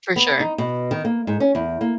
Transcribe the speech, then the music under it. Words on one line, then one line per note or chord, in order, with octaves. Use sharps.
For sure.
B3
D#4
B2
D#3
A#3
G#2
C#4
E2
A#3